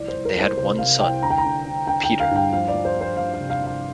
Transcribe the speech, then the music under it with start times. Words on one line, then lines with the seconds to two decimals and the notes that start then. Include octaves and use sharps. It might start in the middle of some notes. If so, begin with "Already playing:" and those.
They had one son, Peter.
Already playing: C2 F3 D5
0.08 C5
0.15 C2
0.25 A#4
0.36 C2 C5
0.57 C3 C5
0.79 C3 F5
1.00 C2 G5
1.23 D3 A#5
1.30 G5
1.38 A#5
1.44 D3
1.65 D3
1.87 D3 G5
2.04 G5
2.09 D3
2.20 F5
2.31 G2 G5
2.53 F3 F5
2.68 D5
2.74 F3
2.85 C5
2.96 F3 C5
3.17 F3 F5
3.34 F5
3.39 C3
3.50 F5
3.61 F3
3.66 F5